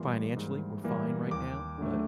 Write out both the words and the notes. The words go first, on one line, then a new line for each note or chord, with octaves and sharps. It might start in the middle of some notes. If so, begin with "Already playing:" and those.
financially, we're fine right now, but
Already playing: G#2 E3 G3 A#3 C6
G#2
E3 G3 A#3
D#2 D6
D3 F#3 A3